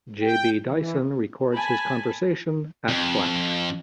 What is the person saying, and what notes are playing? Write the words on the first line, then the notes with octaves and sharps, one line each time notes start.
J B Dyson records his conversion at Flash.
G5
E3
G#5 A5 B5
F2